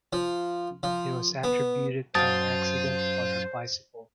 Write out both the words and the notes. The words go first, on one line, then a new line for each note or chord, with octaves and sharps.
It was attributed to an accident on her bicycle.
F3
F3
B3
F#2 F4 C5 F5 A5 D#6 A6